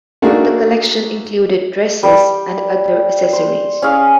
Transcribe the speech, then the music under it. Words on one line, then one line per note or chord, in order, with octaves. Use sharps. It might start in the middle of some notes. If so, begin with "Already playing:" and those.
The collection included dresses and other accessories.
A3 A#3 D4 D#4 F#4 G#4
G3
C5
C#4 G#4 F5